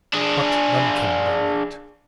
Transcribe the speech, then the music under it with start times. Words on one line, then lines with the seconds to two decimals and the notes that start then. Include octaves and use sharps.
But none came that night.
0.13 D4 G#4